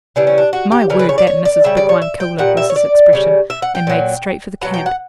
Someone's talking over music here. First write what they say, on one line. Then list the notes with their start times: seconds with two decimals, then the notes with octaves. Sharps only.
"My word, that missis big one coolah!" was his expression, and made straight for the camp.
0.16 C#3 E3 G3 D4
0.27 C#4
0.38 D4
0.53 F#4
0.72 G4
0.90 C#3 E3 G3 A#4
0.99 B4
1.09 C#5
1.18 D5
1.27 C#5
1.45 D5
1.64 C#3 G3 E5
1.77 D5
1.89 C#5
2.02 E5
2.20 G5
2.38 A#2 G3 F#5
2.57 E5
2.70 C#5
2.76 D5
3.13 C#3 G3
3.50 E5
3.62 F#5
3.75 G5
3.87 A#2 F#3
4.61 B2 F#3 F#5
4.74 G5
4.86 F#5